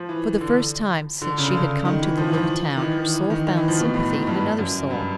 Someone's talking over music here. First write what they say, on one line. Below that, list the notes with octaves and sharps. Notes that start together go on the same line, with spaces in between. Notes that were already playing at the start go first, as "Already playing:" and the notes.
For the first time since she had come to the little town her soul found sympathy in another soul.
Already playing: F3
E3
D3
D3
C#3
D3
C#3
D#3
E3
F3
E3
F3
D#3
E3
E3
D#3
D#3
E3
F3
B2
A2
G#2
G2
F#2
G2